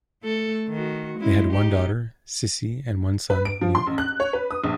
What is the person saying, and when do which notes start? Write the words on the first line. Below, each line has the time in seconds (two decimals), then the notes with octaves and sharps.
They had one daughter, Cissy, and one son, Luke.
0.23 A3 A4
0.69 D#3 F#4
1.20 G#3 C#4 E4
1.52 D#4 G4
3.30 B4
3.45 D7
3.61 F3
3.75 C6
3.87 A1
3.98 F#6
4.20 C#5
4.33 B4
4.51 D#6
4.64 A#1